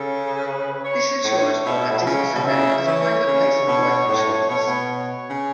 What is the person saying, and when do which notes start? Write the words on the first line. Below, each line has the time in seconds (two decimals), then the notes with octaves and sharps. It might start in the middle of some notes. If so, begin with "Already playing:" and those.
This insurance product is also known as Private placement life insurance.
Already playing: C#3 A4
0.43 B4
0.84 C#5
1.24 A2 C#5
1.65 B2 E5
1.91 A2
1.98 B2
2.05 C#3 C#5
2.35 B2
2.46 C#3 E5
2.87 E3 C#5
3.27 C#3
3.68 B2
4.08 A2
4.49 B2 C#5
4.58 A2
4.67 B2
4.90 C#5
5.30 C#3